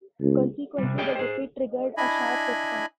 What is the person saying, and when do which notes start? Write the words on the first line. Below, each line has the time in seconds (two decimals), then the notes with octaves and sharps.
Consequently, the defeat triggered a sharp response.
0.21 C#2
0.78 C3 G3
0.98 G4 G#4 C#5 D#5 G5
1.15 G#4 C5
1.97 D4 E4 D#5 G#5 B5